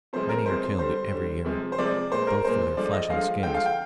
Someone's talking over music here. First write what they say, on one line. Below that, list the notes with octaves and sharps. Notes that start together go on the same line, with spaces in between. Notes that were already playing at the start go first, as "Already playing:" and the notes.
Many are killed every year, both for their flesh and skins.
C3 F3 G#3 C5
A#4
C3 F3 G#3 C5
D3 G3 C5
D3 G3
C3 F3 G#3
C5
C3 F3 G#3 D5
A#2 G#3 C5
A#4
A#2 G#3 C5
D3 F3 G#3 D5
D#5
D3 F3 G#3 F5
D3 F3 G#3 G5
F5
G5